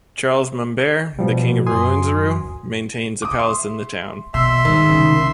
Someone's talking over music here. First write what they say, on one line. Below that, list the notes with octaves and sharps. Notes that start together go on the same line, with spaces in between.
Charles Mumbere, the king of Rwenzururu, maintains a palace in the town.
B2 F3 G3
F#2 G#5 C6 D#6
D6 D#6
E5 C6
B2 E3 E5 C6 E6
G#2 D#3 G3
C2 C#3